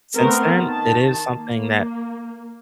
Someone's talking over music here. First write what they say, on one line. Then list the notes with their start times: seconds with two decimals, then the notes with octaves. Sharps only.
since then, it is something that
0.15 A3 B3 C4 A#4
0.61 D#3 A5
1.35 A#3